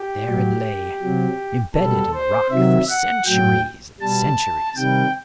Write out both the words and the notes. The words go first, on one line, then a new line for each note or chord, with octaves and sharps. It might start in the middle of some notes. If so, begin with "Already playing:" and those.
There it lay, imbedded in the rock for centuries and centuries.
Already playing: G4
A2 F#3
C3 F#3
B2 G3 A4
C5
C3 D#3 F#3 E5
F#5
A2 F#3 G5
B2 G3 A5
C3 D#3 G3 G5